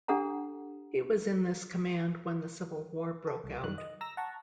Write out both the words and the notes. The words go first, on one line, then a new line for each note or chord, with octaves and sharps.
He was in this command when the Civil War broke out.
D4 G4 A4 F#5 A#5
A4
C2
F#2 D#3 G3 F#6
D#5
A#5 E6 A#6
F#5 A5 A#5 C#6